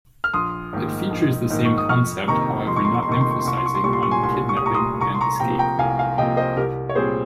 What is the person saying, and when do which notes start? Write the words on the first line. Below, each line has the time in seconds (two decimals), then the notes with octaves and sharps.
It features the same concept, however not emphasizing on the kidnapping and escape.
0.24 F6
0.33 A#1 C6 D#6
0.73 G#2 D#3 A#3
1.11 A#1
1.50 G#2 D#3 A#3
1.65 C#6
1.78 D#6
1.89 F2 C#6 F6
2.28 C3 D#3 A#3 A#5 C#6
2.67 F2 C6
2.76 C#6
2.85 C6
2.94 C#6
3.03 C6
3.07 C3 D#3 A#3 C#6
3.21 C6
3.31 C#6
3.39 C6
3.46 C2 C#6
3.57 C6
3.66 C#6
3.75 C6
3.84 A#2 G3 C#6
3.93 C6
4.03 C#6
4.11 G#5 C6
4.22 C2 G#5 C6
4.49 C#6
4.57 D#6
4.62 A#2 G3 A#5 C#6
4.74 C6 D#6
5.00 C2 A#5 C#6
5.14 C6
5.21 A#5 C#6
5.40 C3 F3 A#3 G5 A#5
5.59 G5 A#5
5.78 C2 F5 G#5
5.99 F5 G#5
6.18 C3 F3 A#3 D#5 G5
6.37 C5 D#5
6.57 C2 G4 A#4
6.89 C#5
6.95 A#2 G3 C4 G#4 C5